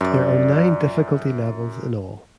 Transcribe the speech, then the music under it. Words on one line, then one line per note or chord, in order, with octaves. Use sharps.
There are nine difficulty levels in all.
F#2 F3 D5